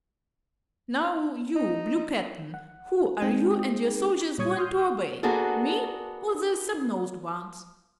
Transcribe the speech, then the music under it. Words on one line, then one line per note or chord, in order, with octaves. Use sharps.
"Now, you Blue Cap'n, who are you and your soldiers going to obey--me or the snubnosed ones?"
D#4
F#5
G#3 C4 D#4 G#4 G5
A#2 G3 C#5 C#6 D#6 G#6
C6 D#6 F6 G6
A#3 B3 D4 F#4 G#4 A4